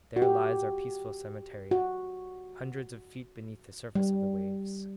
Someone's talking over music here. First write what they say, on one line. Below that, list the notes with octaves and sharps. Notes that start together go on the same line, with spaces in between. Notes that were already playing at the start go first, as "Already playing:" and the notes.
"There lies our peaceful cemetery, hundreds of feet beneath the surface of the waves!"
F#4
G4
F#4
G3